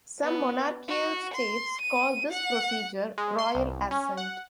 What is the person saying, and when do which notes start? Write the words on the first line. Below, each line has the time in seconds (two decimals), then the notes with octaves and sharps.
Some monarchical states call this procedure "royal assent".
0.23 B3
0.88 F#4
1.34 C6
1.81 D#7
2.31 F#5
3.18 G#3
3.39 C6
3.55 C2
3.91 C#4
4.17 F#5